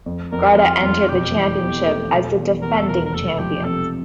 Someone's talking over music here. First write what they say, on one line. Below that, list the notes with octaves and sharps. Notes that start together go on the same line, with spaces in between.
Garda entered the championship as the defending champions.
F2
F2 A#4
F2 F4
F2 F4
E1 G4
E3
E2
A3
E1
E2
E2 A#4
A4
E1 A#4
A#4
F1 A4
F3 G4
C3 A4